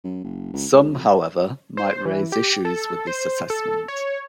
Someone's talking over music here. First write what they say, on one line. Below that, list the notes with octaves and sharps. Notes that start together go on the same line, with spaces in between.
Some, however, might raise issues with this assessment.
F#2
F#1
C#2
C#2
F2
C5
E3
G4
A4
C5
A4
C#5